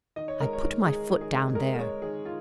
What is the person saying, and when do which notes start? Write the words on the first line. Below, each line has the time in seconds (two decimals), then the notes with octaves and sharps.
I put my foot down there.
0.16 D#3 D#5
0.28 C#5
0.40 G#3 A#4
0.53 C#5
0.63 D#3
0.86 G#3 G#4
1.09 D#3
1.21 G#4
1.32 G#3
1.55 G#3 A#4
1.74 A#4
1.79 G#3 C#5
2.02 D#3 G#4
2.25 D#3 F4